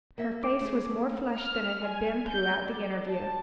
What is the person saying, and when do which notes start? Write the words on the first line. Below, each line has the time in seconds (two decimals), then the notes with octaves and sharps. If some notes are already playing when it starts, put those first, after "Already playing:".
Her face was more flushed than it had been throughout the interview.
0.18 A#3 E5
0.44 D6
0.61 A3 G#4
1.36 F6
1.84 G#5
2.28 G6
2.64 D5
3.07 A5